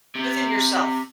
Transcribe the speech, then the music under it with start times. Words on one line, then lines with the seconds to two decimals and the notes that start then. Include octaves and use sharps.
Within yourself.
0.15 C3